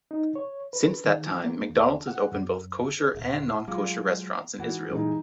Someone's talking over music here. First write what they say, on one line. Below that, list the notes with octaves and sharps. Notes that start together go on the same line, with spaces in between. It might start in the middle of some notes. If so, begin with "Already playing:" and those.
Since that time, McDonald's has opened both kosher and non-kosher restaurants in Israel.
D#4
C#5
B4
D#3
F3
A#3
D#2
F#5
F#2
D#1 D2
F#3 G#3 F4 D6
G#2 E3 F#4 F#5
G2 A#2 E3 G#3 D#4